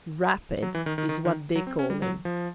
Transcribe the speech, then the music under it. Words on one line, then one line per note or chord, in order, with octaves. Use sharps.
"Rapid" is what they call him.
F#3
E3
D#3
D#3
D#3
D#3
F#3
C4
C#4
G3
F#3
F3